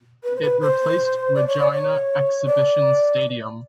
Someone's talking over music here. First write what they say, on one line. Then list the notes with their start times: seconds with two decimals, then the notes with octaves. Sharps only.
It replaced Regina Exhibition Stadium.
0.24 B4
0.36 C5
0.42 B4
0.61 C5
1.35 D5
1.47 C#5
1.59 D5
1.72 C#5
2.46 D5